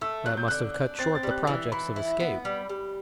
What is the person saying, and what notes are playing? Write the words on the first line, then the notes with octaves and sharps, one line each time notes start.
"That must have cut short the projects of escape."
A3 E6
F#3 F#6
G6
D3 F#6
D4
C4 A6
A6
G3
F#6
E3
E3 B5
E4
B3
G3
G3